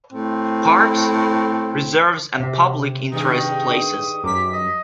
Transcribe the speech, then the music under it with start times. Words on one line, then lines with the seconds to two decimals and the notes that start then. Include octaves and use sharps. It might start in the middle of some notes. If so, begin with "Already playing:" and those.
Parks, Reserves and public interest places.
0.13 A2 C4
2.40 C3
3.12 G2 D#3 D#4 G#4
3.73 D#6
4.24 F#2 D6 B6
4.53 D#5